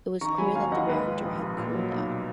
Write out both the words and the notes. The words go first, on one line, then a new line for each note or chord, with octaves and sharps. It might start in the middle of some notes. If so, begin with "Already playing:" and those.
It was clear that the reactor had cool down.
D#3 A#5 C#6
F#3 G#5 B5
D#2 F5 G#5
D#2 D#5 F#5
G#2 B4 D#5
F3
A#1
A#1
A#2
F#3
B1